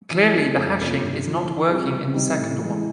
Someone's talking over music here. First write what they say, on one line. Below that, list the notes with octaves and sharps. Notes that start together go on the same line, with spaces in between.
Clearly the hashing is not working in the second one.
E3
A3 C4
F2
C3 F3 A#3 C#4
G2
D3 F3 A3
E3
G3 C4 F4 G#4
C3
D#3 G3 C4 D#4
A2
E3 G#3